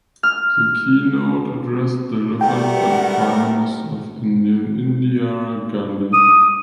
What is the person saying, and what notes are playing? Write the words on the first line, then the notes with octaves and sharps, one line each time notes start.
The keynote address delivered by Prime Minister of India Indira Gandhi.
F6
G3 A3 B3 A#4 F#5 G5
D#6